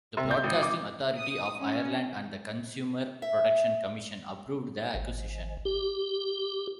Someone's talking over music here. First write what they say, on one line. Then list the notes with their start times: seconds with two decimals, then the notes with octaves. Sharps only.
The Broadcasting Authority of Ireland and the Consumer Protection Commission approved the acquisition.
0.17 C3
0.31 G6
0.44 G#1
0.63 D6
1.16 D#6
1.61 C#4
3.22 E5
4.94 G#1
5.65 G4